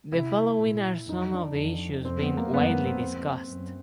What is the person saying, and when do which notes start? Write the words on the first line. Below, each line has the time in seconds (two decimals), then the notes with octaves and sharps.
The following are some of the issues being widely discussed.
0.12 C3 E4
0.61 A#2
1.09 F2 D#4
1.33 D4
1.57 F2
2.05 F2 C4
2.21 B3
2.37 A#3
2.53 F#2 B3
2.69 A#3
2.85 C4
3.01 F2 C4
3.50 F#2